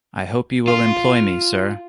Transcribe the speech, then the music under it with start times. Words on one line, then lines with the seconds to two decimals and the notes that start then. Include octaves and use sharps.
I hope you will employ me, sir.
0.68 F4